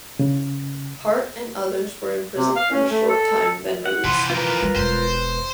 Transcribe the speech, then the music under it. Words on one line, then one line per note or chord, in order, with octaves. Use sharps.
Hart and the others were imprisoned for a short time, then released.
C#3
C3
F5
C#4
A3
A4
F#5
C3 E3 F3 C6
F4 A#4 B4
F#3 G3
E1 C5